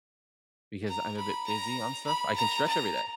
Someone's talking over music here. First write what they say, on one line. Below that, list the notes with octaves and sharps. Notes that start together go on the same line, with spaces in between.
because I'm a bit busy and stuff. I can stretch every day,
A#5
B5
A#5
B5
A#5
A#5